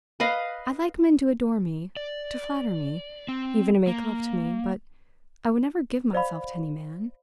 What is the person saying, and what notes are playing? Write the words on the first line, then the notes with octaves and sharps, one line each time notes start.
I like men to adore me--to flatter me--even to make love to me--but I would never give myself to any man.
B4 D#5 F5
D5
C4
A#3
C5 D5 F5 B5